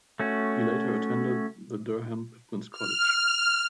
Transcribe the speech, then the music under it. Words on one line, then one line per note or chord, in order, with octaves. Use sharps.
He later attended the Durham Pitmans College.
A3 C#4 F#4
F6